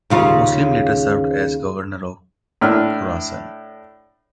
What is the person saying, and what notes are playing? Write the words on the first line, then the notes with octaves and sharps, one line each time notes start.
Muslim later served as governor of Khurasan.
D#2 C#3 F4
A2 D4 F6